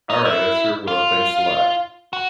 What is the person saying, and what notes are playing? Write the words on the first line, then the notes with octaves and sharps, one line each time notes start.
Alright, I sure will, thanks a lot.
D#4
E4
F4
F#4